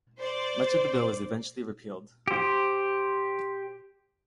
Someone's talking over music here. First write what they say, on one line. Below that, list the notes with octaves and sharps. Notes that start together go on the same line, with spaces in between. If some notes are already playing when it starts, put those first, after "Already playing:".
Much of the bill eventually was repealed.
C5 D5
G4 C5